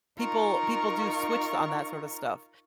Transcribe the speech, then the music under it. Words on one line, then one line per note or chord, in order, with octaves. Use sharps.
people people do switch on that sorta stuff.
D#4 F4 A#4 C#6